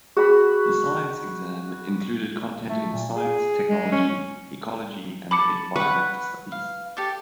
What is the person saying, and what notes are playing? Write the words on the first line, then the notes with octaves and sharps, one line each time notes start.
The Science exam included content in science, technology, ecology and the environmental studies.
F#4 G#4 B5
A3
A#2
G#4
G#3
C#4
A5 B5 D6 C#7
B4 F#5 C#6
F5
G4 A4 D5